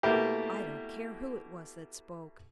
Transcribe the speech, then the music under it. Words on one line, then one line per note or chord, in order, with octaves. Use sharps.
I don't care who it was that spoke.
B2 A3 A#3 E4 G4